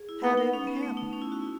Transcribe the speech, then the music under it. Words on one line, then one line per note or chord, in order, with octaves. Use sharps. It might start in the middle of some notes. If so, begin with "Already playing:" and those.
"How did it happen?"
Already playing: G#4
E4
B3 D#4
D#4
C#4
B3
A3
D#4
C#4
E4
F#4
E4